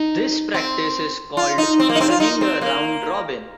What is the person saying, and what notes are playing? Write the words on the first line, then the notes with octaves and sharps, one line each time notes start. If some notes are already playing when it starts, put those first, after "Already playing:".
This practice is called "running a round-robin".
Already playing: D#4
C4
F4
D#4
C4
A#3
D#4
C4
F4
D#4
C4
A#3